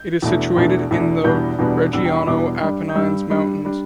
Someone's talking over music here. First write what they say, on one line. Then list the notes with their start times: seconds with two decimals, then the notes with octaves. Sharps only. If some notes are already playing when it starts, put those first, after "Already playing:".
It is situated in the Reggiano Apennines mountains.
Already playing: G6
0.22 E2 B2 A3 D4
0.56 E2 B2 A3 D4
0.91 E2 B2 A3 D4
1.24 E2 B2 G3 B3 D4 G6
1.59 E2 B2 G3 B3 D4
1.93 E2 B2 G3 B3 D4 E6
2.05 G5
2.16 B5
2.27 E2 B2 G3 B3 D4 D6
2.61 G2 G3 D4
2.89 G6
2.95 G2 G3 D4 E6
3.30 G2 G3 D4
3.65 G3 D4